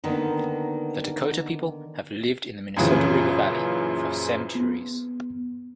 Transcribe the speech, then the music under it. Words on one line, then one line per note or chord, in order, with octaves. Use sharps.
The Dakota people have lived in the Minnesota River Valley for centuries.
D3 D#3 A#3 B3 D#4
F#2 A#2 C#3 E3 F3
B3